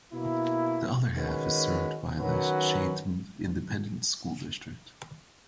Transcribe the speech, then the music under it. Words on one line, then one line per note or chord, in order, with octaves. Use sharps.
The other half is served by the Sharyland Independent School District.
B2 A#3 E4
D#3 G#3 C#4 F#4 B4
D#3 F#3 C#4 F#4 B4